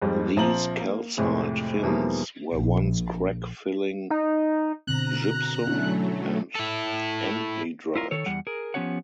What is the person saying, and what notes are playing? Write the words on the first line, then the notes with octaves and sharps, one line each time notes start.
These calcite fins were once crack filling gypsum and anhydrite.
F2 G#2 F3 G3
A#1 F3 C4 A#5 F#7
A#3
F2 A2 C3 G#3
E2 B2 D#3 F3 G3 A#3
A#1
D#4
B2 D3 C4 A#5 F#6
F#3 A3 C#4 D4 E4
E4 A4
E4 F4 A#4
D#3 A4 C#5
E2 G3 F#5
G#4 A#4
F3 B3 C#4 G4 C#5 F#5